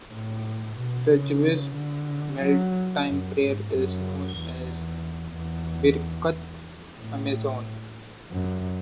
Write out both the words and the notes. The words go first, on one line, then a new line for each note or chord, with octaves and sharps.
The Jewish mealtime prayer is known as Birkat Hamazon.
A2
B2
C#3
D3
F#3
F#2
G#2
F#2
E2
E2
A2
F#2